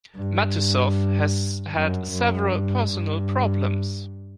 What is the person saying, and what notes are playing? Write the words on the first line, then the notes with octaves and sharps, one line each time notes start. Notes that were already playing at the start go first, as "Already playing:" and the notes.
Matusow has had several personal problems.
G2
F#2
F#2
G2
G2